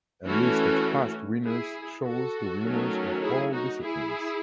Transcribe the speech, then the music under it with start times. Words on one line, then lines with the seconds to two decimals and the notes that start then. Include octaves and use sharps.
A list of past winners shows the winners of all disciplines.
0.25 E3 A3 C#4 F#4 A4
1.44 E4 G#4
2.03 F#4 A4
2.62 D#3 F#3 A3 C#4
3.22 E4 G#4
3.52 D#4 F#4
3.82 E4 G#4